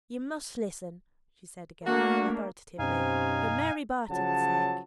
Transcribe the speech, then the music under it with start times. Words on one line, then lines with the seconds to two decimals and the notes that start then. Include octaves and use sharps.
"You must listen," she said again, authoritatively, "for Mary Barton's sake."
1.86 A3 A#3 D4 F#4
2.79 F#2 B2 C4 C#4 D#4 G4 F5 G#5
4.09 C#3 F3 F#3 A5